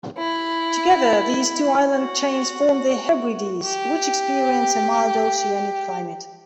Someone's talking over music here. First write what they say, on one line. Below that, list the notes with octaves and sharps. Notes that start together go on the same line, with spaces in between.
Together these two island chains form the Hebrides, which experience a mild oceanic climate.
E4
F#4
G4